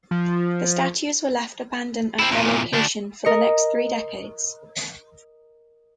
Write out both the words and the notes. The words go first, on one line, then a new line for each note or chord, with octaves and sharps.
The statues were left abandoned at their location for the next three decades.
F3
C4 E4
E2 A#2
D2 D4
A#4 D#5 C#7